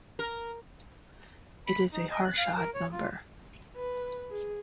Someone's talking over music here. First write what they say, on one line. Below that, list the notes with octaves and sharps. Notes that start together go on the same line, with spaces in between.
It is a Harshad number.
A#4
B5
D#4
D#5
F#6
F5
A#4
C#5
F4
B4
G#4